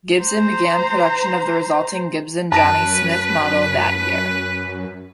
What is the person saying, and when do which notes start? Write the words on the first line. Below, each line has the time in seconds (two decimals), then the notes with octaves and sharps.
Gibson began production of the resulting Gibson Johnny Smith model that year.
0.23 C5 A#5
2.52 F#2 B4 A5 A#6 D7